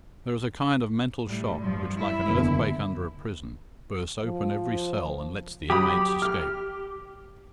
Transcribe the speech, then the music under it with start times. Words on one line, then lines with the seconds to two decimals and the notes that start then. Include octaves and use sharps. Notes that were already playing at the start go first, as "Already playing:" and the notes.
There is a kind of mental shock which, like an earthquake under a prison, bursts open every cell and lets the inmates escape.
1.26 A2 G3
1.61 G2 F3
1.98 E4
2.28 F#1 E2 D3
4.25 F3
5.70 F#3 G4 B5 D#6
6.22 F6